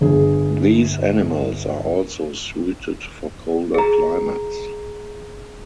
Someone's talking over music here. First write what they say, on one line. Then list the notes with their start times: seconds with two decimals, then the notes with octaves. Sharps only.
These animals are also suited for colder climates.
0.01 G1 G#4
3.74 G#4 A#5